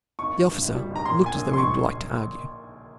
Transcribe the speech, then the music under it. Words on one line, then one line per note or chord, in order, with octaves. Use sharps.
The officer looked as though he would like to argue.
G#1 C#6
G#1
G2
G#1
G3
G#1
A#5
A#2 C6
A#2
G#5
A#1
F3 C6
A#1 C#6